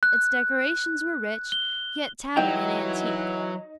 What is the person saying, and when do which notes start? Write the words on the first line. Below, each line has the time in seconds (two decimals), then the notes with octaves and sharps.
Its decorations were rich, yet tattered and antique.
0.03 F#6
1.52 G7
2.37 E3 F#3 D#4 G5